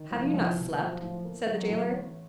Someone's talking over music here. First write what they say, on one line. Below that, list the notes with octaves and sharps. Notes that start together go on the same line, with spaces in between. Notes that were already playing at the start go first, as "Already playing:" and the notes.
"Have you not slept?" said the jailer.
Already playing: D#3
C2 F3
C2
B2
F3 F#3
A2
A#3
A1 F#3
A2
A1